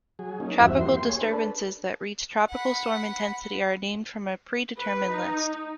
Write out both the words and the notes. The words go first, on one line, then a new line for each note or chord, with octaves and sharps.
Tropical disturbances that reach tropical storm intensity are named from a pre-determined list.
F#3 G#4
A#3 C#4 D#4
E2 G2 F3 C4 F#4 E5
A#3 G4 C6
G#4 C#5
D4 A4 B4
F#5 B5
B4
D#4